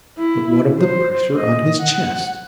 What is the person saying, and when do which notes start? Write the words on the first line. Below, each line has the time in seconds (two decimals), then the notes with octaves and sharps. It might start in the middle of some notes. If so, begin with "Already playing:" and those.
But what of the pressure on his chest?
0.19 E4
0.79 C5
1.38 D#5
1.81 F#5